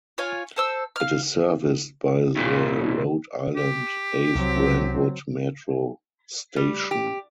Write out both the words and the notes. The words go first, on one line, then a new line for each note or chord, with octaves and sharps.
It is serviced by the Rhode Island Ave-Brentwood Metro station.
F4 C#5 G#5
A4 C5 E6
F5 F6
D#2 A#2
G4
C2 F#3 C4
G3
G4